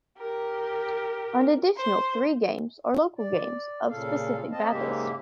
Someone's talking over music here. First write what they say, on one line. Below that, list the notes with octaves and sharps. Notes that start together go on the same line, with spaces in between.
An additional three games are local games of specific battles.
G4 A#4
C5
D5
A#2 C#3 A4 F5
C4 D#5 A5
G#2 C#3 G#3 A#3 G4 E5